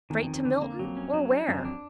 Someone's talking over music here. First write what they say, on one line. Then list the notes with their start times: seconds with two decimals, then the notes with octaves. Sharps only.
Straight to Milton, or where?
0.10 E2 D#3
0.21 F2
0.27 D#3
0.33 F2
0.45 D3
0.62 A#3
0.79 F2 F#3
0.97 C#4
1.14 F#3
1.30 D4
1.47 F#2 F#3
1.59 F2
1.65 D4